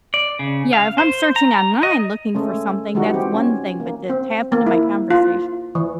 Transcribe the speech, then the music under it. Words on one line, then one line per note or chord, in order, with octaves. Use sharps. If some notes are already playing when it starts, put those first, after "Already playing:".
Yeah, if I'm searching online looking for something, that's one thing, but to tap into my conversations?
D5
C#3
F5
C5
A#5
D#5
G#3 A3 C#4
E3 G3 G#3 D#4 F#4
E3 C4 G4
C#4
A#3
C4
A#3
E4
F4
E3